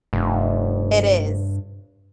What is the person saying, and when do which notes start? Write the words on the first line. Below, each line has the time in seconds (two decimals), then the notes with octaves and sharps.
It is.
0.13 F1 G2